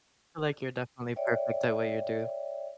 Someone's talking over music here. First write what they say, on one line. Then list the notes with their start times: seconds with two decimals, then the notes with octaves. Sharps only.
I like you're definitely perfect the way you do.
1.16 C#5 D5 E5 G5